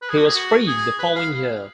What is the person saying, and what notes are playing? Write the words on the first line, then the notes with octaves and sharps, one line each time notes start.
He was freed the following year.
B4
G#4
F#4
G#4
F#4
G#4
B4
F5